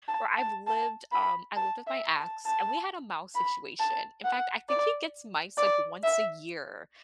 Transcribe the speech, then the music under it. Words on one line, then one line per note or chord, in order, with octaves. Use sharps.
where I've lived, um, I lived with my ex, and we had a mouse situation. In fact, I think he gets mice like once a year,
A5
A5
A5
B5
A5
E5
A5
A5
B5
A5
F#5
D5
D5
E5